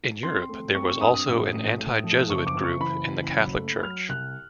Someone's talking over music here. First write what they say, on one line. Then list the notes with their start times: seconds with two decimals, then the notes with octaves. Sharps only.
In Europe there was also an anti-Jesuit group in the Catholic Church.
0.23 C4 C6
0.49 A3
0.75 C4 C#6
0.89 C#6
1.01 G2 D#6
1.14 D#6
1.27 A1
1.53 A2
1.78 A2
2.04 F3
2.29 F#1 C#6
2.47 D6
2.55 F#1
2.64 C#6
2.80 E3 B5
3.06 F#1
3.32 F#3
3.58 A3
3.83 F#3 F6
4.09 C2 F#6